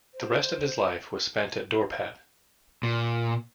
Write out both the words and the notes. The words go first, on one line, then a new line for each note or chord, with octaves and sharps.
The rest of his life was spent at Dorpat.
C5
A#2